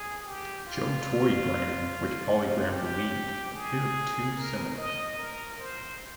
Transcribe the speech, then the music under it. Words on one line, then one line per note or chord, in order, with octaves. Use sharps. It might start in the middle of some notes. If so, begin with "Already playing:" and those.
Joe toy brand, which, PolyGram believed, appeared too similar.
Already playing: G#4
G4
F4
G4
G#4
A#4
D#5
A#4
C5